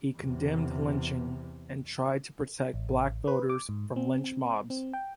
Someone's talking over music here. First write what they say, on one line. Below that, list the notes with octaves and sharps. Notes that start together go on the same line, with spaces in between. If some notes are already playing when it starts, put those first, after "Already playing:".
He condemned lynching and tried to protect black voters from lynch mobs.
E2 C3
A1
B4
D6
G#2
C4
C4
G5